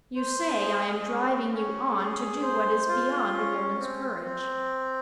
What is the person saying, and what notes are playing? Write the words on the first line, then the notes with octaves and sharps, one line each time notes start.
You say I am driving you on to do what is beyond a woman's courage.
C5
G#4
C#4
C#4
G#4
C5
F4
C#4
C4
C4